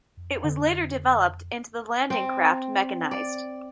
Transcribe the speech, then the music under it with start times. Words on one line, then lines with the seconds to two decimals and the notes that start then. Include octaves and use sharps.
It was later developed into the landing craft mechanised.
0.17 F2
0.44 D3
2.10 C4
3.11 D5